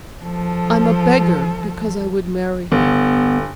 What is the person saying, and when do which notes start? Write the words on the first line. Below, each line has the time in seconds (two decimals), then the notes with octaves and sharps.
I'm a beggar because I would marry her.
0.23 F3 A4
2.72 G1 B3